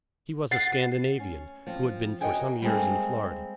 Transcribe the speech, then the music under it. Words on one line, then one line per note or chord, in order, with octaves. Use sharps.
He was a Scandinavian, who had been for some years in Florida.
F#5 A6 C7
C#4
F3 C4
F#4 A#4 C#5 D#5 G5 G#5
G3 G#3 A#3 C4 G#4 A4